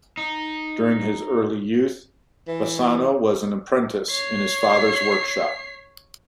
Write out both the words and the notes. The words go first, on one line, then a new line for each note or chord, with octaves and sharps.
During his early youth Bassano was an apprentice in his father's workshop.
D#4
E3
C#5 C7